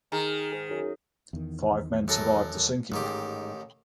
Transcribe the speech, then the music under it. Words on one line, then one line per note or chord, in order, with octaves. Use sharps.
Five men survived the sinking.
D#3 G#4 A#5
G#2 G#4
F#2
E2 D#3
F#2 A4 A#4
A1 G#2 D#3 G#3 G4